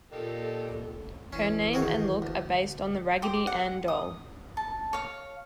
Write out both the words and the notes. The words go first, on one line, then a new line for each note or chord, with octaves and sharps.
Her name and look are based on the Raggedy Ann doll.
A#2 A#3 D#4 G4 A4
E3 C#4
D#3 F#4 G#4
D2
G4 C5
F#5
D#6
A5
C#5 F5